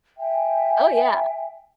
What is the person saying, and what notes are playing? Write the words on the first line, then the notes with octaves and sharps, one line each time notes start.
Oh, yeah.
E5 G5 G#5